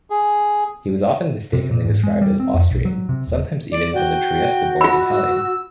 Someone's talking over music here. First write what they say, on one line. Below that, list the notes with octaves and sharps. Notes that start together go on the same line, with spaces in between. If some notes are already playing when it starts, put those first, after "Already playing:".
He was often mistakenly described as Austrian, sometimes even as a Trieste-born Italian.
G#4
C3
A#2
G#2
G#3
G3
C4
F2
B1
F#3
C3
D#1
D5
F#4 G5
F4 B5 E6